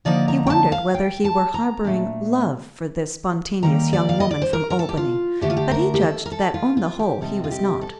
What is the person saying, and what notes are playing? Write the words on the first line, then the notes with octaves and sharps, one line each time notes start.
He wondered whether he were harbouring "love" for this spontaneous young woman from Albany; but he judged that on the whole he was not.
D3 F3 A#3 D#4 D5
A#5
G5
A5
F5
G5
A5
A#5
A#2 A3 D4
D#3 G3 A#3 A#5
D5
F5
D#5
D5
C5
A#4
A#4
A4
G4
F4
D3 A3 D4 G4
F4
G4
A#4
G4
A4
A#4
A4
F4
F4
G4
C3 G3 C4 D#4 A4
F4
G4
A4